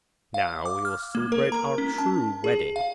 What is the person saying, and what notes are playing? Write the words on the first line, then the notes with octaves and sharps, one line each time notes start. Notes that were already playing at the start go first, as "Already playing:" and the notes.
Now we will celebrate our true wedding.'
F5
D6
F6
A#3
A#4
A#5
C#4
A5
G#4
F5